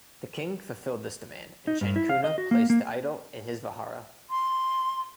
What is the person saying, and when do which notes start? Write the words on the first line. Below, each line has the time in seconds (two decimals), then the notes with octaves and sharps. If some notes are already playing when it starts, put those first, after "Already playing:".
The king fulfilled this demand, and Chankuna placed the idol in his "vihara".
1.67 D#4
1.81 G2
1.96 E4
2.09 F5
2.24 D#5
2.38 F#4
2.51 A#3
2.70 A#3
4.30 C6